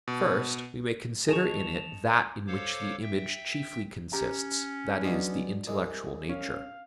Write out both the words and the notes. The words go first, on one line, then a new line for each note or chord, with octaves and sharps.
First, we may consider in it that in which the image chiefly consists, that is, the intellectual nature.
B2
D#3 E3 G3 G#4 D#5 A5 C#6 F7
A4 C5 C#5 F5 D6
E5 G5
C#4 G4 A#5
B1 G#3 D4 F#4
C2 G#3
C#4 F5